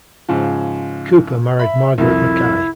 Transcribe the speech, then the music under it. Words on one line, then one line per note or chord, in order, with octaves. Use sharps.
Cooper married Margaret Mackay.
G#2 C#3 F3
E5 B5
C2 F2 E4